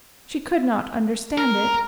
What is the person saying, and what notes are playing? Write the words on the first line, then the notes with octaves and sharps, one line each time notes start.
She could not understand it.
A#4